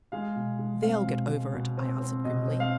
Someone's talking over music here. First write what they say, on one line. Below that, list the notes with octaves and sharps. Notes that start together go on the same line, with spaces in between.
'They'll get over it,' I answered, grimly.
G#3 F5
B2
G#3
C4 F5
B2
G#3
B2
C4
C4
B2 D#5
C4
F5